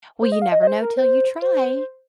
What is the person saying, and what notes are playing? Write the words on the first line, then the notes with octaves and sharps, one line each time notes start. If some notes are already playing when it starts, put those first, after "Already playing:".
"Well, you never know till you try."
C5
D#5
F5
D#5
D#5
C5
A#4
C5
C5